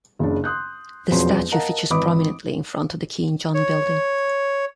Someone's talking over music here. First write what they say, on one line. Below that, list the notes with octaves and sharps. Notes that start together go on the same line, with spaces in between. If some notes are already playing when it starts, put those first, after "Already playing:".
The statue features prominently in front of the Keen John Building.
F#1 C#3 D4
C6 D#6 F#6 G6
E1 F2 F3 F#3 C#4 C6
A#4 D#5 F5 F#5 A5 A#5
G#1 E3 B4 B5 D6 D#6
C#5